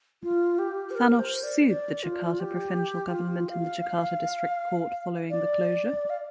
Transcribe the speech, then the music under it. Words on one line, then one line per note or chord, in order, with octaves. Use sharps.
Thanos sued the Jakarta provincial government in the Jakarta District Court following the closure.
F4
G4
C5
A#4
C5
D5
D5
F4
G4
F4
F5
D5
F5